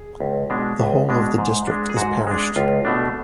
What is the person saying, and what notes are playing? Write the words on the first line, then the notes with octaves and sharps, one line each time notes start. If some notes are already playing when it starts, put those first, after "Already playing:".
The whole of the district is parished.
Already playing: G#4
C#2
B2 G#3 D4
C#2
B2 G#3 D4
G#2
G#3 D4
G#4
G#2 F#4
G#3 D4
C#2 F4
B2 A3 D4